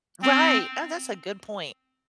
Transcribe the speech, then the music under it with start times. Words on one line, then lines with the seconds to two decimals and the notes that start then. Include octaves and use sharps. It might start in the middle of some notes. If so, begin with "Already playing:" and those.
Right, oh, that's a good point.
0.22 C4